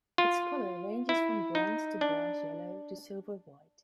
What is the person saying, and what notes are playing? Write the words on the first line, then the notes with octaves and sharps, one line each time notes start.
Its color ranges from bronze to brass yellow to silver white.
F4
E4
D#4
D4